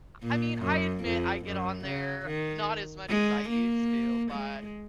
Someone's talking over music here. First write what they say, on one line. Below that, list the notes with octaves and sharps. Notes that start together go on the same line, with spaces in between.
I I mean, I admit I get on there- not as much as I used to, but,
A#2
F#2
F2
F#2
C#3
D#3
G#3
A#3
G#3